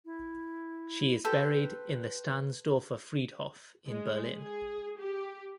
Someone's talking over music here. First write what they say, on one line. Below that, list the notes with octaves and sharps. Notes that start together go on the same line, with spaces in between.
She is buried in the Stahnsdorfer Friedhof in Berlin.
E4
G4 A4 B4 C5
G#3
G#4
G4